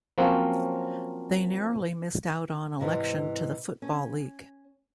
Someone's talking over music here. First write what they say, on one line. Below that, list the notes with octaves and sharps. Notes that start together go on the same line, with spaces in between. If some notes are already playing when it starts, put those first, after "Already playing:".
They narrowly missed out on election to the Football League.
F3 F#3 A#3 C4 C#4 F4
G#2 C3 E3
C#4